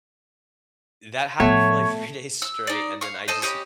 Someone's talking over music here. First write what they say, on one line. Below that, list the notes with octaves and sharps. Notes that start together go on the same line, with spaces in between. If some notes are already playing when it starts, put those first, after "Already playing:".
that happened for, like, three days straight, and then I just
A2 F3 A3 B3 C#5
E6
D#4 D5
F5 C#6
A4 C5 D#5 G5
C#4 G4 D#5 B5